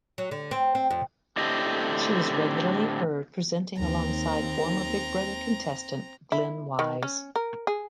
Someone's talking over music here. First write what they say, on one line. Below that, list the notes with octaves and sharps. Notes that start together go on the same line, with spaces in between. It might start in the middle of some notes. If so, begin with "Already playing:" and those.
She was regularly heard presenting alongside former Big Brother contestant Glyn Wise.
F#3
D3
C4
C4
F2
A2 D3 A3 C4 G4 D#5
D#2 C4 A#5
E4
D#3
C#4
A#4
G#4